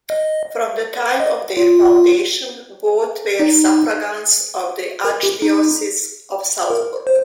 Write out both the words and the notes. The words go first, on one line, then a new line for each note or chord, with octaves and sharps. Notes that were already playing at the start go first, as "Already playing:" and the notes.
From the time of their foundation both were suffragans of the Archdiocese of Salzburg.
D#5
D#5
F4
D#4
A#4
G4
D#4
A#4
C5